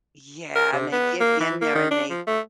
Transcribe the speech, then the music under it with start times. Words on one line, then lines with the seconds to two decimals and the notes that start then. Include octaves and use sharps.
Yeah and they get in there and they
0.55 A#4
0.72 C3
0.92 B3
1.20 A#3
1.40 E3
1.61 A#3
1.75 D#3
1.91 D4
2.10 F3
2.27 A3